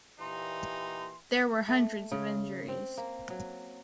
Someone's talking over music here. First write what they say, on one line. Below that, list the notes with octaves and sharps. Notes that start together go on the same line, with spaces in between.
There were hundreds of injuries.
A#2 E3 D#4 G4 C6
A3
C#3
C4
A#3
F#3